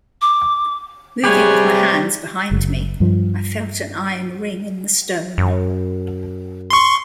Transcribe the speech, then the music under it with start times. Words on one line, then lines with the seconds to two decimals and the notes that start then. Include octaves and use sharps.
Moving with my hands behind me, I felt an iron ring in the stone.
0.22 D6
1.24 C3 G3 G4 G#4 B4 C#5
2.51 F#1
3.00 G2 F3
5.38 F#2
6.70 C6 C#6